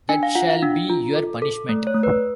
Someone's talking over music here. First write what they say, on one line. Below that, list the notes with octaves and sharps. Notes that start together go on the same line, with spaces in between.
That shall be your punishment.
D4 G#5
F5
F4 F#5
F5
D4
F4
A4
A4
A3
C#5
A3
B4